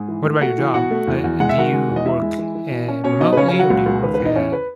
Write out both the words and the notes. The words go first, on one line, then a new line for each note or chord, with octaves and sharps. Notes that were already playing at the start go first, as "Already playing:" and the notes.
what about your job, uh, and do you work, eh, remotely or do you work at
Already playing: G#2 G#4
E3
A3
A3 F#4 F#5
E3
B2 F#4 F#5
A3
E2
E2
G#3 F#5
E5
D#3 F#4 F#5
G#3
E2
D#5
G#3 E4 E5
G#3
E3
E3
B2
C#4
B2 C#4 C#5
B2 D#4 D#5
B4
C#3 C#4 C#5
C#4 C#5
F#3
F#4 F#5
C#2
C#2
D#3 B4
B4
E2
D#4 D#5
E2 C#4 C#5
B4